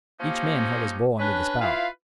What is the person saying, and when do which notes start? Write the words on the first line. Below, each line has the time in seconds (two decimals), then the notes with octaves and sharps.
Each man held his bowl under the spout.
0.20 F3 A#3 C#4 D#4 G4
1.19 C#4 D4 B4
1.61 E4 F4 B4 F5